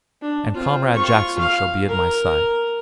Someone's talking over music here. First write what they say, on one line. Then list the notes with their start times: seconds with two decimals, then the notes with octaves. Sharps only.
And Comrade Jackson shall be at my side.'
0.22 D4
0.54 C4 F4
0.94 F4 C#6
1.39 F5
1.88 A#4 A#5